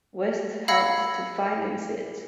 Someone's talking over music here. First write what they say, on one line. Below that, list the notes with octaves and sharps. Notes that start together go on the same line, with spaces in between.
West helped to finance it.
F5 B5 E6 G#6 A#6 C#7